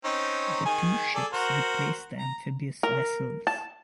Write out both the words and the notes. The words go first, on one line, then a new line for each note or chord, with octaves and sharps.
The two ships replaced the amphibious vessels.
C4 C#4 D#4
D#3 G#4 G#5
G#4 A4 D5
F#4 A#4 C5
A#5
A#4
A5